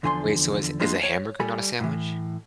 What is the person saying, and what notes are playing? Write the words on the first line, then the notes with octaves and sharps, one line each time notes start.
Wait, so is is a hamburger not a sandwich?
E2 D3 F3 G#5 B5 C6
F3 G3 G#3 A#3 D4 F4
C#5
G3 A4 G#5 B5
A2 E3